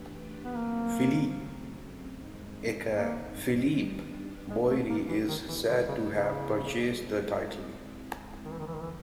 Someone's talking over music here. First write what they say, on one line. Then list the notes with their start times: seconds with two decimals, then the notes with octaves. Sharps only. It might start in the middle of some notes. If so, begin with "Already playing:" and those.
Philippe, aka Philippe Boiry, is said to have purchased the title.
Already playing: E3 A3 D4 G4 B4
0.44 B3
0.56 C#3 F#3 A3 A#3 C4
2.13 G2 D#3 G#3 C4 D#4
2.92 A#3
3.71 D#3 G3 B3 D4 G4
4.50 G#3
4.70 A3
4.90 A#3
5.09 E3
5.29 D#3 G3 B3 E4 A4 D5
5.49 E3
5.69 D3
5.88 C#3
6.08 C#3
6.86 G#3 C4 E4
8.45 D#2 D3 D#3 F3
8.52 E3
8.59 D#3
8.66 E3
8.74 D#3
8.82 E3